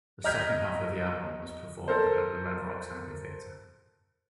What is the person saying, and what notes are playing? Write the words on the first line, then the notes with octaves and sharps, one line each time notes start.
The second half of the album was performed at the Red Rocks Amphitheatre.
D#5 A#5 F6 G6 G#6 B6
A4 A#4 C5